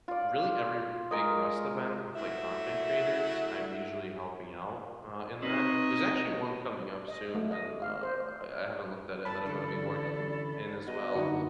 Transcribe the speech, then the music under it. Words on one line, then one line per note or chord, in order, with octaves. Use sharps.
really every big Rust event with, like, content creators, I'm usually helping out, uh, in that there's actually one coming up soon and, uh, I I haven't looked at it, that I'm gonna be working in, as well.
F4 D5
G#3 A#4 D#5
F#3 A3 E4 E5
C4 D#4 B4 C#5 D#5
D#5
A3
D#5
F5
C5
D5 A5 B5
D3 E3 C#4 A4
B3 F#4 D#5 F#5
F#2 D3 A#3 D#4 E4 F#4 F#5